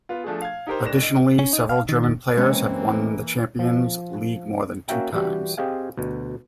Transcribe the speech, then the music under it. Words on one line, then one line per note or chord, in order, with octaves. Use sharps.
Additionally several German players have won the Champions League more than two times.
B3 F4
F3 A3 D4 G#4
F5 G#6
D#4 G4 A#4 C5
D1 D4 A#6 E7
D#5
C#4
D#4
F5
D#3
D#3
E3 G#3 A#3 C4 C#4
F3
A#3 C#4 F#4 E5 G5 A#5
E3 G3 F#4 G4
C4 G4 G#4 D#5 F5 G#5
D2 B2